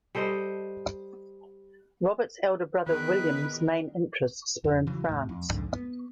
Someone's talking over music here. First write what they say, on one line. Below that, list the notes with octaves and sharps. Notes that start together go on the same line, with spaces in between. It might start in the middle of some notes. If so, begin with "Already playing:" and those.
Robert's elder brother William's main interests were in France.
G3 A4 C5 D#5
E2 D#3 G#4 A#4 B4
F2
C#3 E3 F#3
E2 A2
F2
C2 F2 G#2 D3
B3